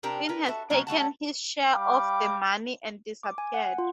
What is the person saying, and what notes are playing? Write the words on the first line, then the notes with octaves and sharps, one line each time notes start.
Finn has taken his share of the money and disappeared.
C3 C4 D4 G4 A#4
A#4 B4
F#4 A4 E5
B2 F#3 A#3 C#4
G3 A3 F#5 A5
G3 F5 G5 B5 D6
D6
G#5
F#5
F4